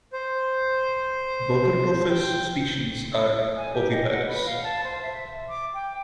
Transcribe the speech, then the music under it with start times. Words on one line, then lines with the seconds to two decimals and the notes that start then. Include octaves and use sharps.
"Bogertophis" species are oviparous.
0.13 C5
2.10 G5
3.57 G#5
3.73 G4
3.90 D#5
4.11 F#5
4.28 B4
4.45 F5
4.64 A5
4.84 C5
5.02 E5
5.49 D6
5.74 G5